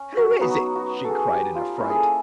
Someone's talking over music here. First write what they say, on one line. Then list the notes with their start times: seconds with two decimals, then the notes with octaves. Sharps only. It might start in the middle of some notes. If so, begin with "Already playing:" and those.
"Who is it?" she cried in affright.
Already playing: C#4
0.17 F#4
0.40 F#3 B3 D#4 F#4
0.75 F#4
1.05 G#4 A4
1.33 G4
1.55 F4
1.78 A#3 C#4 E4 A#4
1.89 G#4
1.95 A4